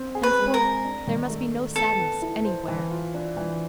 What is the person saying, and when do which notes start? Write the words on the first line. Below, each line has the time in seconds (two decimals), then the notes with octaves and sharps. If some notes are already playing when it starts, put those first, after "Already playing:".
Henceforth, there must be no sadness anywhere.
Already playing: C4
0.15 G#4
0.23 B4
0.39 G#3
0.54 A#4
0.62 C4
0.85 D4
1.07 D#3
1.30 A3
1.53 D4
1.76 B3 A4
1.99 B3
2.22 E4
2.45 C5
2.68 E3
2.91 F4
3.14 D4
3.37 E3